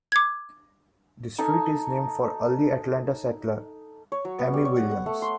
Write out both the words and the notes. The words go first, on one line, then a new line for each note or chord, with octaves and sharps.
The street is named for early Atlanta settler Ammi Williams.
D6 G#6
D#4 A4 G#5 A#5
C#5
F#3
B3
G3
C#5
F#5
F#5
A3
C6